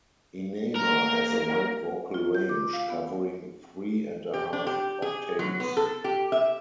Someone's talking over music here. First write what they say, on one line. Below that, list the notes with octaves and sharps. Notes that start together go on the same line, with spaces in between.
Inaba has a wide vocal range, covering three and a half octaves.
A#3 A#4
F4
G6
D6
F5
B3
G4
D4
G4
G#4
F#3
B3
A4
G4
E5